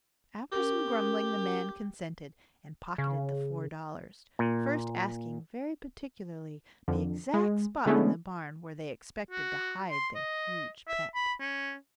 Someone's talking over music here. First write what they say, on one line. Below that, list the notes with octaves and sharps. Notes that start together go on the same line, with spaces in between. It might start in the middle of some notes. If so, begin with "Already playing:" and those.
After some grumbling the man consented, and pocketed the four dollars, first asking very particularly the exact spot in the barn where they expected to hide their huge pet.
C#4 G4 A#4
C#3
A#2
F2 D3
G#3
D3 G#3 A3 B3 C#4 E4
F#4
C6
D#5
E5
B5
C#4